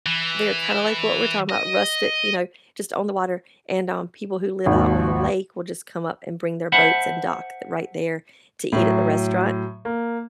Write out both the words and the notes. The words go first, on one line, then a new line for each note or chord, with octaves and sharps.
there, kinda like what we're talking about, rustic, you know, just on the water, and, um, people who live out on the lake will just come up and bring their boats and dock th right there to eat at the restaurant.
E3
D#5
G#1 D#2 F#4
C5 E5 F#5 A5 B5
A2 F#3
A#3